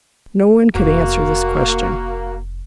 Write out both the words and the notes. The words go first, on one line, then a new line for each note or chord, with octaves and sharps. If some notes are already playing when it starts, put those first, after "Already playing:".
No one could answer this question.
F1 A#3 F#4